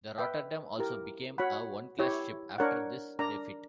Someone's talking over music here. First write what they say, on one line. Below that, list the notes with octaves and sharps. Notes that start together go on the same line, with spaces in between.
The "Rotterdam" also became a one class ship after this refit.
B4 E5 G5
E4 G4 A#4
F#4 C#5 F#5 B5
E4 G4 C#5
D4 A#4 C#5 F#5
D4 A#4 D5 A#5